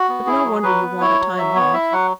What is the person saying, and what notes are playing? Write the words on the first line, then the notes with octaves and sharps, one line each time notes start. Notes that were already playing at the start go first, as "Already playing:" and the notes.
But no wonder you want a time off.
Already playing: F#4
B3
E4 G#4
F#3
F#3 B4
B3
E4 C#5
F#3
F#3 E5
B3 C#5
E4 E5
F#3 F#5